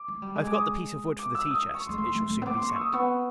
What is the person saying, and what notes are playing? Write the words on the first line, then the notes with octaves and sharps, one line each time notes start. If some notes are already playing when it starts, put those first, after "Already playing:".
I have got the piece of wood for the tea-chest; it shall soon be sent.
Already playing: D6
G#3
G3
G#3
D6
D#6
D6
E6
D#6
D#6
C#6
G#3 C6
A3 C6
A3
A3
B3
A#3 D6
C6
C#6
E6
D#6
B3 C#6